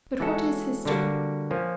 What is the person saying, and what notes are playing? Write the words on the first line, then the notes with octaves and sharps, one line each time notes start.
But what is history?
E3 G#3 C#4 F#4 A4
D3 G3 A#3 D4 F#4
F3 A#3 C#4